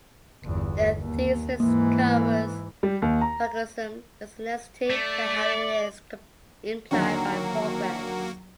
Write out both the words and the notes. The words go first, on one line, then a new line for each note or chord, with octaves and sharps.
The thesis covers plagiarism as a necessity and how it is implied by progress.
G1 E2
D#2
G#2 E3 A#3
G3
D#2
A#5
A3 D5
D#2 D3 F#3 A#3 F#4